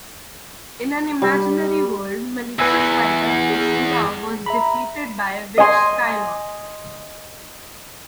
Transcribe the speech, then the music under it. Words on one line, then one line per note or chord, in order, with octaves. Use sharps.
In an imaginary world, malicious fighter Ashura was defeated by Witch Skylord.
G3
E2 B4 G#5 E6
G#4
E5 A#5 B5
D#5 G#5 C6